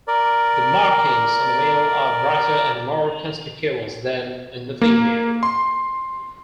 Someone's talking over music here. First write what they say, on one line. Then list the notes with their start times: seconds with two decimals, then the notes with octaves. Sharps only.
The markings on the male are brighter and more conspicuous than in the female.
0.08 A#4 D5
4.81 A#3
5.43 C6